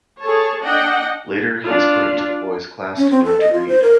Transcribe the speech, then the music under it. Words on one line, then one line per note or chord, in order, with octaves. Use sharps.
Later, he is put into the boys' class to learn to read.
G#4 A4 C#5 A5
D4 D#5 F#5 G5
D4 F4
C#4
C4
A4
D#5
F4
C5
A#4